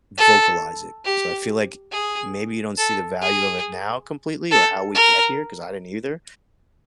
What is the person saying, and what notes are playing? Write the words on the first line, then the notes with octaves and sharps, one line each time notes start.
vocalize it. So I feel like maybe you don't see the value of it now completely or how we get here, 'cause I didn't either.
A4
G4
G#4
A4
G#4
A4
A#4